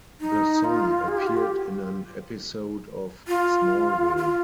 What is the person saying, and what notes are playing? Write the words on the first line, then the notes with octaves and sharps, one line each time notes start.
The song appeared in an episode of "Smallville".
D#4
F4
G#4
G4
F4
G4
F4
F4